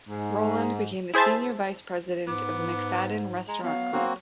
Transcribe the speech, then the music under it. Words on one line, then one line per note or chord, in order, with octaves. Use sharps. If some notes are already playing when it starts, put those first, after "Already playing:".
Roland became the senior vice president of the McFaddin restaurant group.
G#2
E4 G#4 C5 E5 A5
G#2 B3 D6
G#3 A#5
F#3 B3 F5
F#3 A#3 C4 F#4